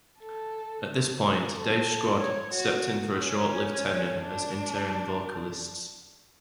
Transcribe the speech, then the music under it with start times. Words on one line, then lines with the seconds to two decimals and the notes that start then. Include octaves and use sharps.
At this point, Dave Scrod stepped in for a short-lived tenure as interim vocalist.
0.19 A4
1.53 A4
2.20 C#5
2.54 F#4
3.21 C#4
4.22 D4